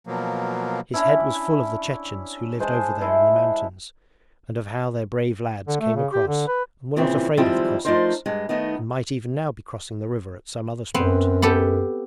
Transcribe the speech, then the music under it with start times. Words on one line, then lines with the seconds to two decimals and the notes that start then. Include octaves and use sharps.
His head was full of the Chechens who lived over there in the mountains, and of how their brave lads came across and were not afraid of the Cossacks, and might even now be crossing the river at some other spot.
0.07 B2 F3 F#3 A#3
0.93 C#4 D4 E4
2.60 G#3 C5 G#5 A5
3.01 E4 C5
5.68 D3
5.81 A3
5.96 C#3
6.13 G4
6.27 D3
6.48 B4
6.96 A#2 C#3 E3 C4
7.37 D#3 F3 G3 G#3 C4 E4
7.85 F3 A3 D4 D#4 A#4 C5
8.26 G2 G#3
8.49 D#3 A3 B3 D#4
10.94 F#2 B3 C4
11.42 B3 G4 A4